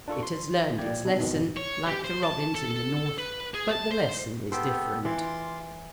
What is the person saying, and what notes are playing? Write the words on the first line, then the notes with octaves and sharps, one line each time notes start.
It has learnt its lesson like the robins in the north, but the lesson is different.
D4 F4 A4 C#6
C6
A#2 F3 A#3 D5 G5 G#6
B2 D4 D#4
F2 G#2 B2 D#3 E3
C#5
G4
C5
A5
A4
B4
G#4
A5
C5
B3 G4 A4 C5 G5
E3 F4 C6 D6